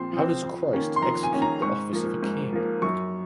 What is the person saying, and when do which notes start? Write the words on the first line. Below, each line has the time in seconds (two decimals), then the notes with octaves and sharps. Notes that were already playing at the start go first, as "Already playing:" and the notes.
How does Christ execute the office of a king?
Already playing: A#2 F3 C4 C6
0.13 F3 C4
0.43 F2
0.73 D#3 A#3 C#4
0.96 C6
1.02 F2 A#5
1.23 G#5
1.32 D#3 A#3 C#4
1.42 A#5
1.62 G#2 C#6
1.93 F3 A#3
2.22 G#2
2.53 F3 A#3
2.82 F#2 C#6